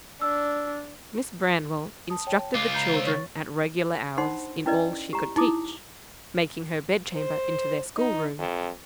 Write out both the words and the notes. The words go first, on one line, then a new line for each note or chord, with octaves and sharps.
Miss Branwell instructed the children at regular hours in all she could teach, making her bed-chamber into their schoolroom.
D4 E6
A5 D#6
C#5 G5 A5
C#2 F4 D6
A#5 B5 G6
C5 E6
C#5 C#6 A6
D4 D#4 C5 F#5 B5 C6
C#4 E4 B4 D5 D#5
G4 A#5
D#4 E4 D6 D#6
C5
D#4
F2